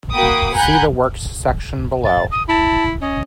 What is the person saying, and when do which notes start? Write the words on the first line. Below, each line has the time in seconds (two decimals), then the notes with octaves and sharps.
See the Works section below.
0.12 A#3 F#4 G5 B5 D6 D#6
0.54 F#5 G#5 A#5 B5 F#6 G6
2.05 A6
2.31 D#6
2.49 E4 A5
3.01 C#4 D#5